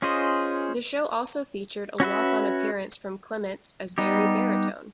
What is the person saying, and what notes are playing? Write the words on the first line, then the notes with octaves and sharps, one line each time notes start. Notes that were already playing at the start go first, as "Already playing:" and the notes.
The show also featured a walk on appearance from Clements as Benny Baritone.
C#4 F4 G#4 C5 D#5
C#4 F#4 B4 E5
G3 B3 D#4 G4